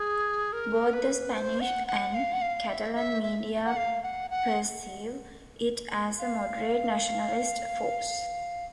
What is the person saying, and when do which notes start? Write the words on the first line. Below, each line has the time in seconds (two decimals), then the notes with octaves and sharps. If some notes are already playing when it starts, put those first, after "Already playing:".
Both the Spanish and Catalan media perceive it as a moderate nationalist force.
Already playing: G#4
0.53 A#4
0.93 B4
1.34 C5
1.60 F#5
1.87 F#5
2.14 F5
2.33 F#5
2.42 F5
2.69 E5
2.95 E5
3.23 E5
3.65 F#5
3.77 F5
4.03 F#5
4.30 F#5
6.19 F5